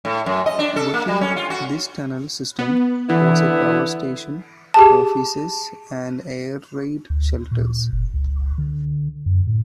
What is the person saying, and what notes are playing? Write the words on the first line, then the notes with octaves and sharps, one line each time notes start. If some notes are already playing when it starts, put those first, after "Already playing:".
Within this tunnel system was a power station, offices and air raid shelters.
A2
F#2
D#5
D4
A4
A#3
G3
C#4
F4
F#4
B3
D3 E3 B3 E4
G4 G#4 A5
D2
A#2
F#1
C#2
D3
F#2
A2